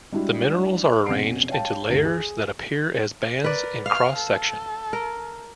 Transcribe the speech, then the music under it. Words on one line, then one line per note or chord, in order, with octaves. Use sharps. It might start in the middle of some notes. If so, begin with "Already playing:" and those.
The minerals are arranged into layers that appear as bands in cross section.
G3 G#3 D4 E4 F#4
F1 B2 C#4 F#5 C7 D7
C#5 F5 G5 A5
D2 G2
G#4
A#4 B4 D5
F5 F6
A4
A#4